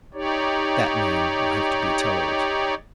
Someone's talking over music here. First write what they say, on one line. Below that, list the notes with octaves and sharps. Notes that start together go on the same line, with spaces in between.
That man will have to be told!
D#4 G4 C#5 D5